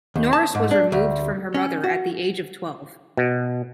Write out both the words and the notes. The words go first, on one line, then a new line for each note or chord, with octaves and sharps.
Norris was removed from her mother at the age of twelve.
D#2
A5
G#2
D4
D2
C#4
F#4
B2